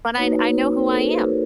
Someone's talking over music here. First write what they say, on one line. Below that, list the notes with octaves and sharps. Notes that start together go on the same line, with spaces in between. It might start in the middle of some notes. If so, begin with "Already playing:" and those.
but I I know who I am,
A#3 D#4 F#4 B4 C#5
A#4 C5
A4 B4
G#4 A#4
F#4